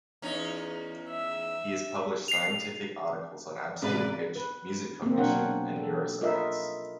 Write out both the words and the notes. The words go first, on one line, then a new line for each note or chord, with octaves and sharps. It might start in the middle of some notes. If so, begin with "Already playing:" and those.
He has published scientific articles on absolute pitch, music cognition, and neuroscience.
E2 C#4 D#4
E5
C7 F7
A1 C3 G#3 A3 B4 D5
B4
A#3 C4
B2 F#3 D4 A#4 C#5 F#5
A4
F4 A#4 B4 D#5 E5